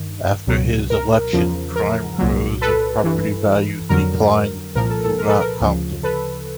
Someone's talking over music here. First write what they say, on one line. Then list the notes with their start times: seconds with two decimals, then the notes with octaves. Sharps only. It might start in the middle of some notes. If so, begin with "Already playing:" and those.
After his election crime rose and property values declined throughout Compton.
Already playing: G2 D#3
0.47 C#2 B2 F#3
0.90 A#4
1.33 E2 C#3 F3
1.76 A#4
2.18 C2 A#2 F#3
2.61 A4 B4
3.04 G2 E3
3.89 F2 D3 F#3 A#4
4.75 C2 A#2 F3 A#4
4.90 A4
5.04 A4
5.18 A#4
5.28 A4 B4
5.40 A#4
5.61 D2 C#3 F3
6.03 A4 B4